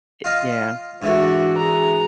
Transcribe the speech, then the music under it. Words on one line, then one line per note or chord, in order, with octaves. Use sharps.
Eh, yeah.
F4 D#5 F5
G#2 E3 A3 D4 F#4
G#4 A#5